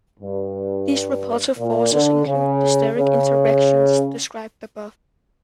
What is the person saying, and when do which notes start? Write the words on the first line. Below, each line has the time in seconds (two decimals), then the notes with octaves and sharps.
These repulsive forces include the steric interactions described above.
0.20 G2
1.57 A#2
1.92 D3
2.26 C#3
2.95 C#3